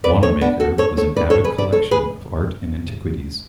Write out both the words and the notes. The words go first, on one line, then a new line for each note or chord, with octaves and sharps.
Wanamaker was an avid collection of art and antiquities.
B4 D5
A4 C#5
B3 D4
F#4 A4
A4 C#5
A4 C#5
B4 D5
A4 C#5
G#4 B4
B4 D5
A4 C#5
G#4 B4